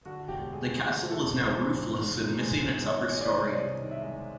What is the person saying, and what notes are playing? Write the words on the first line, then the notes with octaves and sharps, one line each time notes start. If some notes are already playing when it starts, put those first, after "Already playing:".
The castle is now roofless and missing its upper storey.
D3 F#4
E1 G4
D2 G#4
E1 G#4
D3
A4
E1
G#3 C5
G#2
D#3
G#2
G#3
G#2
D#3 C#5
G#3
D#5
D5
C3 C5
C#5
D5
C2 D#5
D#3
E5
G#3